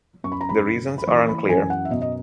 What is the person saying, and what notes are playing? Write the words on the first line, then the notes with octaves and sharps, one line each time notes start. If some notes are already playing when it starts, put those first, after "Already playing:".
The reasons are unclear.
F#2 C#6
B5
A#5
B5
C#3
B5
E3 C#6
B5
F#2 G#5
F#5
E5
B2 D#5
D#5